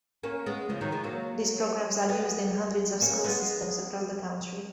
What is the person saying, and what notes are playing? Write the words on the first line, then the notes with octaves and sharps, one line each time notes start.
These programs are used in hundreds of school systems across the country.
A#3 C#4
G#3 B3
C#3 F3
D#3 F#3
F3 G#3
F#3 A#3
G#3 B3
A#3 C#4
G#3 B3